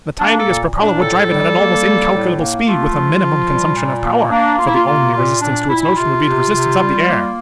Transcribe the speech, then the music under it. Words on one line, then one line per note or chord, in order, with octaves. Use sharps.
The tiniest propeller would drive it at almost incalculable speed with a minimum consumption of power, for the only resistance to its motion would be the resistance of the air.
A#3 D4
A4
A#2
A#2
D4
A2 A4
G3
A#3
G3
A2
A#3
A3 F4
F3
F3
G3
A#2
A#3
A#3 D4
A#3 F4
E4
F4
C3 F4
A#2 F4
A#2 D4
A#2 E4
C3 F4
C3
C3
G3
A#3